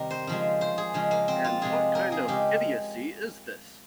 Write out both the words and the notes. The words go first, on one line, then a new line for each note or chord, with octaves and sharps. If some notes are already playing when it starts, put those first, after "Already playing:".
And what kind of idiocy is this?
Already playing: C3 D#3 G3 A#4 D#5
C5
C#3 F3 G#3
C5
G#4
C#3 F3 G#3
A#3
C4
F4
C3 F3 G#3 G#4
A#4
G#4
C#3 G#3 G4